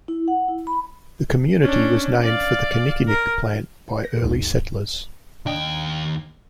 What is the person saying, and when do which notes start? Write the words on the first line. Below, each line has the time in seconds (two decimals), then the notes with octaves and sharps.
The community was named for the kinnikinick plant by early settlers.
0.08 E4
0.28 F#5
0.48 E4
0.67 B5
1.62 C#4 D4
2.23 D5 F5
3.08 A#4
4.04 A#6
4.21 A#1 D#2 G#2
5.46 D#2 D4 D#5 G5